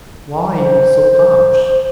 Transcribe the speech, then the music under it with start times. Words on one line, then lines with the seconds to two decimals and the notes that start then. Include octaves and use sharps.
Why be so harsh?
0.56 C5